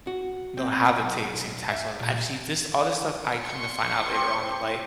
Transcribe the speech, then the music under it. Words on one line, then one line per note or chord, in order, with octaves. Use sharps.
don't have the ta same tax laws. I've seen this all this stuff, I come to find out later on in life,
F#4
C4
B1
E5
A#2
C6 C#6 C#7
C4 G4